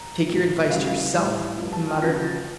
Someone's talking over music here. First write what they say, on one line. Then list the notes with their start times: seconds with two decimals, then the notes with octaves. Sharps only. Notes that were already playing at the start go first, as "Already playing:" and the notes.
"Take your advice to yourself," he muttered.
Already playing: A#5
0.27 A2 F3
0.70 D2 C#3 E3 G3 F5
1.14 A2 E3 G3
1.58 G2 F3
1.73 A5
1.87 F6
2.02 D2 C#3 F3 A#6
2.16 G6
2.24 A6